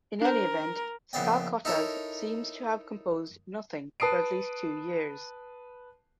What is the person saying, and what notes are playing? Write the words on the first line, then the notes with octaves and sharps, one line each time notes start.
In any event Skalkottas seems to have composed nothing for at least two years.
D4 A#4 C5
A#1 C#3 B3 D5 G5
D#4 E4 A4 A#4 C#5
B4 A5 D#6 C7 D7